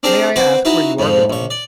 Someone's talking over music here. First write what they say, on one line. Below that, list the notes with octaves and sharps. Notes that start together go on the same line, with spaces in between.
May I ask where you are going?'
C4 D4 G4 G#4 A#4 C5
C4 F#4 B4 C5 D6
D#4 E4 F#4 B4
F2 G#2 F3
A#1 C#5
D5